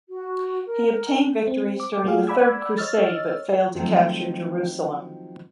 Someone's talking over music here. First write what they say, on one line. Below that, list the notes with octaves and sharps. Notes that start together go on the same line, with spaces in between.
He obtained victories during the Third Crusade, but failed to capture Jerusalem.
F#4
A#4
C4
D6
F#3 A3 A#3 F4 G#4 F5
D5 F#5 B5 D6 E6 G#6
C#5 D#5 E6 F6 A6
D#3 F3 F#3 A3 C4